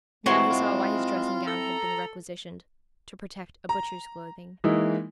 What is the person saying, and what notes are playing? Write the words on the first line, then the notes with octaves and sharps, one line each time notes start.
Now he saw why his dressing-gown had been requisitioned--to protect a butcher's clothing.
E3 G3 A3 C4 E4 F#4 C#5 C6
G#3 F4
A4 A#5
A#5
E3 G#3 A#3 D#4 E4